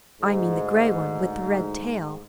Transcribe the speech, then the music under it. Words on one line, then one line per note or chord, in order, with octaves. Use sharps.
I mean the grey one with the red tail.
D2 G#2